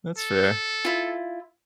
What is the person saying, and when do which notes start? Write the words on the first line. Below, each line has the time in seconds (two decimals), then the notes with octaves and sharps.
That's fair.
0.18 A4
0.85 E4 F4